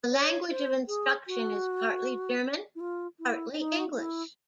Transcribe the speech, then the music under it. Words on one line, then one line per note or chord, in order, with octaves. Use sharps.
The language of instruction is partly German, partly English.
C#5
C5
G#4
F#4
E4
F4
E4
D#4
E4